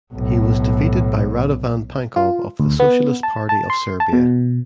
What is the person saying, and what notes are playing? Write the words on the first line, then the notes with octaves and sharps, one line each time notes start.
He was defeated by Radovan Pankov of the Socialist Party of Serbia.
B1 A2
F4
D2
B3
A5
A5
C6
A5
B2